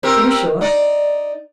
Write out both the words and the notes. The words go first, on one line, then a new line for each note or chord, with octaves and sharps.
'To be sure.
C4 G4 A#4
D#4 D5